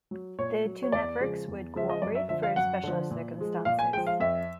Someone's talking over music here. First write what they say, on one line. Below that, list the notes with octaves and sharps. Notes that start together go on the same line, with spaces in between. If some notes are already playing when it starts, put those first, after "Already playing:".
The two networks would cooperate for special circumstances.
F#3
A#2 C#5
F#3
C#5
E2 D5
C#3 F3 G#3
E2
C#3 F3 G#3 E5
D#5
F#2 D5
E5
D3 F3 E5
F5
F#2 F#5
D3 F3
A#2
F3 G#3
A#2 F5
G#5
F3 G#3 G5
F5
F2 E5